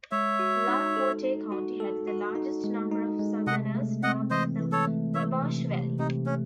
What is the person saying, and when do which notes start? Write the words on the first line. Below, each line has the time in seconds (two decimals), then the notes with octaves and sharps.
LaPorte County had the largest number of Southerners north of the Wabash Valley.
0.11 G#3 C#5 E5
0.39 F#4
0.68 D#4
0.96 A4
1.24 D#4
1.52 F#4
1.80 A4
2.07 F#4
2.35 D#4
2.64 G#3
2.92 D#4
3.19 G#3
3.47 C3 D#5 F#5
3.75 A3
4.03 C4 D#5 F#5
4.31 E3 C5 D#5
4.59 E3
4.72 A4 C#5
4.87 A3
5.14 E3 C#5 E5
5.43 C3
5.71 C3
5.99 C3 D#4
6.26 A3 C#4